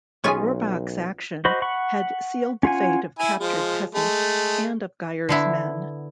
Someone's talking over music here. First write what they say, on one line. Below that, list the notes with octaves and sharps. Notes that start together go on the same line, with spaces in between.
But Rohrbach's action had sealed the fate of captured peasants and of Geyer's men.
B1 B3 C#4 F4 G#4 C#5
F#4 C5 D#5 B5
F#5 B5 C#6
C#4 F4 F#5 G#5
E4 G#5
F3 G#3
G#3 A3
D3 B3 E4